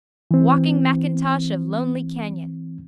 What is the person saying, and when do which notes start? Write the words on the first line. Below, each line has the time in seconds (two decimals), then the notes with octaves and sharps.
Walking Mackintosh of lonely canyon.
0.31 E3 C4